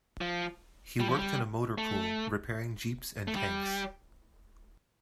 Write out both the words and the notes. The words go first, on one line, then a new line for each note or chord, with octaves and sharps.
He worked in a motor pool, repairing jeeps and tanks.
F3
G3
F3
G3
A3
A3
G3